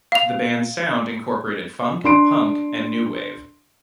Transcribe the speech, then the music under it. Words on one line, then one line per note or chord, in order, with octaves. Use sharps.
The band's sound incorporated funk, punk, and new wave.
F5 F7
D4 C6 D7